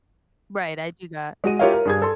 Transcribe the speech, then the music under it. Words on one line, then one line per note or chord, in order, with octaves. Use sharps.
Right, I do that.
G#3 F#4 D#7
F4 G4 A#4 C#5 E5 F5
A#4
G2 G#4 G#6
A4 C6